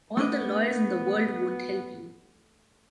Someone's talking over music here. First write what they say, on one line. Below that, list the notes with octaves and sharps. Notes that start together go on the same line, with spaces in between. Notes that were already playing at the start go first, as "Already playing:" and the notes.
All the lawyers in the world won’t help you!
A3 B3 D4 D#5